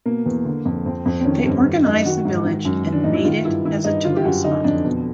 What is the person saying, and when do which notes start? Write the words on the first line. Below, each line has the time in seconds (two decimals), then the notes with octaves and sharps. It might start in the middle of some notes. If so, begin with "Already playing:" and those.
They organized the village and made it as a tourist spot.
0.06 B2 A#3
0.26 E2
0.45 D3
0.65 F2
0.86 F2 C4
1.05 F2
1.20 C4
1.25 D#3 C#4
1.45 G2 C4
1.65 D#3
1.84 F#2 D#4
2.05 D#3 F#4
2.25 G#2
2.45 D#3
2.65 F#2
2.85 E3
2.93 D4
3.04 A2 D#4
3.14 E4
3.24 D#3 F4
3.45 G2 E4
3.65 D#3 E4
3.84 G2 D#4
4.05 D3 F4
4.16 G4
4.25 F#2 F#4
4.44 D3 D#4
4.64 F2 D4
4.85 B2